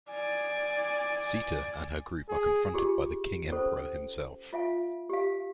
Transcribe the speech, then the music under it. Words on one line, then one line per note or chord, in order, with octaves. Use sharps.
Sita and her group are confronted by the King-Emperor himself.
D5 G#5
G#4
F4 G4 G#4
C#4 A4 C5
F4 E5 F5 G#5
G4 F5